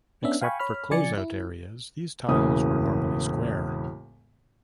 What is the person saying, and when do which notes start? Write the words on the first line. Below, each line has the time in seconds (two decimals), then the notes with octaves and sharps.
Except for closeout areas, these tiles were normally square.
0.23 B3 C#4 D4 E5
0.41 F5 G5 G#5 B5 C#6
0.60 C#5 B5 F6
0.91 C#3 F3 D5 G#5 A6 C#7
1.18 E4
2.28 E1 A2 C#3 A#3 D#6